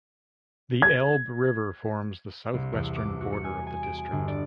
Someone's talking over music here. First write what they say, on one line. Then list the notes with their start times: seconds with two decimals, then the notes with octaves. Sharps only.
The Elbe river forms the southwestern border of the district.
0.82 G#6
2.54 C2
2.73 E2
2.96 D6
3.21 F#4
3.33 C#7
3.44 G#5
3.67 G#5
3.83 D7
3.98 G#5
4.12 G1
4.28 D5